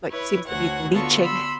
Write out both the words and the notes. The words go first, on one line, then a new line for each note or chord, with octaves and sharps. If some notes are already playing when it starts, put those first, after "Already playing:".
like, seems to be leeching
E4 B4 C#5
D2 F#4 C#5 F#5
D3 B3 F4 F#4 A4 C#6
B5 C6 E6